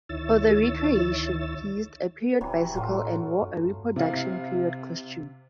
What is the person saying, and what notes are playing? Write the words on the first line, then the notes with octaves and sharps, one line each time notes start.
For the recreation he used a period bicycle and wore a reproduction period costume.
D2 D#3 E4 C#5 E6 A6
D1 C3 E3 F#3
A2 F#3 A3 F4
G2
C3 E4 F5 C7